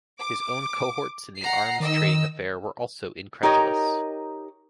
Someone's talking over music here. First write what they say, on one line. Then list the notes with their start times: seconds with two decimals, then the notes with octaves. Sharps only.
His own cohorts in the arms trading affair were also incredulous.
0.21 D6
1.41 F#5 A#5 C7
1.80 D#3 D#5 E6
3.43 D#4 G4 A#4 C#5 D#5